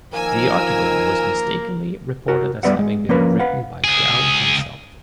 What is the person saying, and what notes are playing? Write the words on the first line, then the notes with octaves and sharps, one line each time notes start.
The article was mistakenly reported as having been written by Gou himself.
D#3 F3 A#3 A#4 G#5 E6
F#4 A#4
G3 B3 B4 D5 E5 F#5
G#3
F3 A#3 C#4 A#4 B4
B4 F5 F#5
C#2 G#4